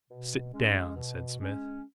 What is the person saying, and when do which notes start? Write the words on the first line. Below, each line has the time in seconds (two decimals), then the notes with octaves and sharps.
"Sit down!" said Smith.
0.10 B2
0.53 G#3 C#4
0.96 B2
1.39 G#3 C#4